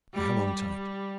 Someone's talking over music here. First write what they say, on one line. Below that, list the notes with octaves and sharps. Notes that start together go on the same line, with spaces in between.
I hung on tight.
G3
G3